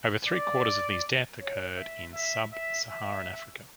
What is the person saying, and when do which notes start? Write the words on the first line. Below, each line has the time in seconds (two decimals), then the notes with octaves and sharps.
Over three-quarters of these deaths occurred in sub-Saharan Africa.
0.27 D5
1.41 C#5
1.77 E5
2.14 E5
2.53 E5
2.89 E5